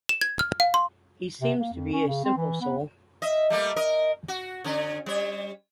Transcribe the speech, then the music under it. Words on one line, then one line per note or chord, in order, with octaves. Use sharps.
He seems to be a simple soul.
E7
G#6
F6
F5
C6
C3
A#3
F2
C#4
C#3
C4
E3
B3
D#5 E5
G3 A3 A#3
A#4 D#5
F#4
D3 C#4
G3 C#5